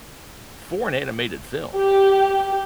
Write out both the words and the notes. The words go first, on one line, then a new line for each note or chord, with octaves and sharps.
for an animated film,
G4